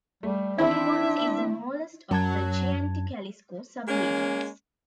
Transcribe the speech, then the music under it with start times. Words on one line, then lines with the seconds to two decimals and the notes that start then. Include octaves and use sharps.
Poggibonsi is the smallest of the Chianti Classico sub-regions.
0.23 G3 A3
0.58 D#3 E3 C4 D4 E4 E5
2.11 F#2 F#3 A5 G#6
3.88 G#3 A#3 C#4